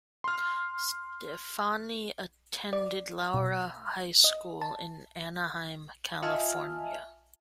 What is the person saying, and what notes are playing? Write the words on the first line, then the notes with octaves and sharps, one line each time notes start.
Stefani attended Loara High School in Anaheim, California.
C6 F6
D5
B2
D#5
A5
F4 D#5 E5 G#5 A5 F6